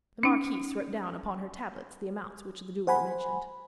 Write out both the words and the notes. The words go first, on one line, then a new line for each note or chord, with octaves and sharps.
The marquise wrote down upon her tablets the amount which the jeweler mentioned.
C#4 D#4
C5 F#5 G#5 B5